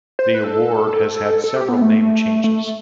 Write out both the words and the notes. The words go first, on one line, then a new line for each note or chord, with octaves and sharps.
The award has had several name changes.
C5
B4
A4
A4
G4
B3
A3
A3